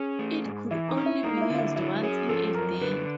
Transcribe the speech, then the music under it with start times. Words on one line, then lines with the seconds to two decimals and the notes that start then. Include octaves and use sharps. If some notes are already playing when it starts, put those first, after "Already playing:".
It could only be used once in a day.
Already playing: C#4 G#4
0.19 A3
0.45 G#2
0.71 E3 E4
0.88 D#4
0.97 C#4
1.06 E4
1.23 A#3 D#4
1.37 F4
1.41 E4
1.50 D3 F4
1.59 E4
1.76 F#3 E4
2.03 C#4 G#4
2.29 F3 A4
2.55 F#2 A#4
2.81 D3 B4